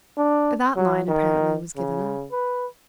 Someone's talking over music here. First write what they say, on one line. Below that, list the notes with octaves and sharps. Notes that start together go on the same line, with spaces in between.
That line apparently was given up.
D4
F#3
D#3
C#3
B4